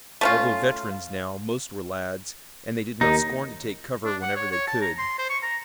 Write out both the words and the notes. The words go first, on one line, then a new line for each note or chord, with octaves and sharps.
Although veterans now, most were lads, and they did not scorn to take cover whenever they could.
A3 C#4 F4
D#2 D#4
D4
F#5
C#5
C#5
A5
A#5
C6
C5
C#6
A#5